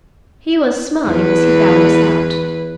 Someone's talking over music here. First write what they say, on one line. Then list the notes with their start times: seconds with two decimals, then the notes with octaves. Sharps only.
He was smiling as he bowed us out.
1.06 E2 B4